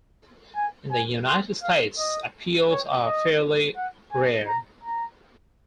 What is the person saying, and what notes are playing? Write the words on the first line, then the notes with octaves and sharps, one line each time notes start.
In the United States, appeals are fairly rare.
G#5
G#5
C6
F5
D#5
C#5
D#5
F#5
G#5
A#5
A#5